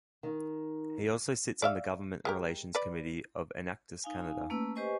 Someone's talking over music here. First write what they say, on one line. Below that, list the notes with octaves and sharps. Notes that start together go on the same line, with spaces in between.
He also sits on the government relations committee of Enactus Canada.
D#3
D5 E5 F5
G#3 G4 A#4
B4 D5
D#4 F5 G#5
A3 A#3 C#4 B4 E6
G4 B4 C5 D#5 G#5 C#6